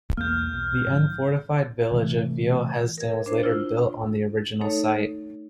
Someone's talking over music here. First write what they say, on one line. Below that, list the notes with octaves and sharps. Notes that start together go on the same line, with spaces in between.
The unfortified village of Vieil-Hesdin was later built on the original site.
B1 E2 A#3 F6 G6
B1
G#2 F3
C3 E3 A3
A#4 G#6
D4 C5
E4 F4
A3 D#4 A4 C#5